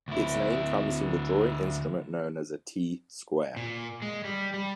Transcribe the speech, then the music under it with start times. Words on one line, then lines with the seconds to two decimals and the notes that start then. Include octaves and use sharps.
Its name comes from the drawing instrument known as a T-square.
0.08 D2 E4
3.57 A#2
4.02 G#3
4.25 G3
4.54 G3